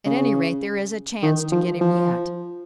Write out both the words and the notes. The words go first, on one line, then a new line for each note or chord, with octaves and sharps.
At any rate, there is a chance to get him yet.
C#3
D#3
F3
F3